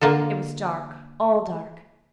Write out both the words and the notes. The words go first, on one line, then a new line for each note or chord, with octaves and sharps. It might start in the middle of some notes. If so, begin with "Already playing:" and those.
It was dark--all dark.
D3 A#3 F4 A4